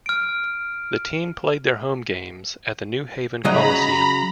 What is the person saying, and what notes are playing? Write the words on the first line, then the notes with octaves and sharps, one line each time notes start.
The team played their home games at the New Haven Coliseum.
F6 D7
C#3 F#3 D#5 A#5 B5